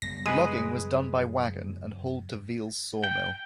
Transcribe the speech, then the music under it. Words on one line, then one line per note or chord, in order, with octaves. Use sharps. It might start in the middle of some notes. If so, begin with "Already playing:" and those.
Logging was done by wagon and hauled to Veal's sawmill.
F#1 G3 B3 A#6
G#3 G#4 B4 D#6
G5